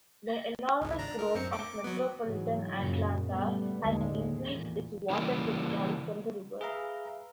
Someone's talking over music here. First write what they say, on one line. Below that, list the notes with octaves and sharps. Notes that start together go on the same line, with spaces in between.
The enormous growth of metropolitan Atlanta has increased its water withdrawals from the river.
G#1 C#2
D4 A#5
A#4
F#2 C4 C#7
D6
F#3 B3
G#2 C#3 E3 F#3 G#3
F#2 A#2 C#3 F#3
G3 A3 B3
A1 D#2 A2 D3 G#3
E2 A#2
C#3 E3 G3 A#3
G#4 B4 E5 F5 A#5